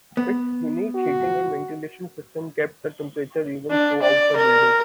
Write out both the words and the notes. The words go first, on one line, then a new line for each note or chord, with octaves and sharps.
Its unique heating and ventilation system kept the temperature even throughout the building.
B3
F#4
D4
D5
A#4